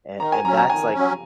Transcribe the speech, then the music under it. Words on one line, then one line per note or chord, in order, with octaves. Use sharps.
A and that's like,
D#3 A#5
G#5
F#3 C#4 A#5
A#5
D#3 G#5
F#3 C#4